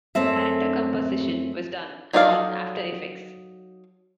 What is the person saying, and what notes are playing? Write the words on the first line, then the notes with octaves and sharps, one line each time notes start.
Character composition was done on After Effects.
F#2 A3 C4 E5
F#3 D#4 A4 D5 F5